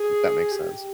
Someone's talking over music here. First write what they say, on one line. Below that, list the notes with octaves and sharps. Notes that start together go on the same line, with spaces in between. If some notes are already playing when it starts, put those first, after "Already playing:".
If that makes sense.
Already playing: G#4
G4